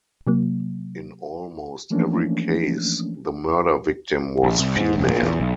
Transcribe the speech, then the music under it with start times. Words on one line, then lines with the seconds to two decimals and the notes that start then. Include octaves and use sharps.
In almost every case the murder victim was female.
0.27 C3 F#3 A#3
1.90 E3 F3 A3 A#3 C#4 D4
4.43 A#1
4.59 C2
4.77 G#2
4.96 F1
5.10 A#2
5.23 E2
5.40 B1